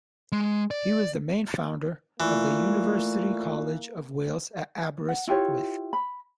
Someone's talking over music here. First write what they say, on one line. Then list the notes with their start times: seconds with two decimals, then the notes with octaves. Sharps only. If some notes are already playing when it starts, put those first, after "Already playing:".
He was the main founder of the University College of Wales at Aberystwyth.
0.32 G#3
0.71 D5
2.20 E3 A3 A#3 F4 D5 C#6
5.09 F#5
5.27 E4 F4 G4 C#5
5.93 B5